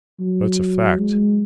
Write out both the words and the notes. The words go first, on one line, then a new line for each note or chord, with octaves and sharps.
"That's a fact?"
F#3
G#3